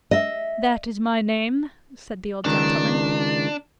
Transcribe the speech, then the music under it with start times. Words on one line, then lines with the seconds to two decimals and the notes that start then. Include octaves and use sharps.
'That is my name,' said the old gentleman.
0.11 D#5 E5
2.45 C#2 D#3 D4